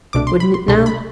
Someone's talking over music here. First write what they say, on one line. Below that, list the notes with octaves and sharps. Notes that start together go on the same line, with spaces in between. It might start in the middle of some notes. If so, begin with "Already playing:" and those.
Wouldn't it now?'
C2 B2 A3 D4 D6
C6
B5
C6
C2 B2 A3 D4 C6
B5